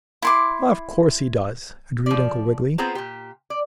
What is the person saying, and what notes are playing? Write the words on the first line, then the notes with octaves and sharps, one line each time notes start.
"Of course he does," agreed Uncle Wiggily.
E4 C6 D6
F3 D5
B3 C4 F4 G#4 C5 A#5
A#2 G4
D5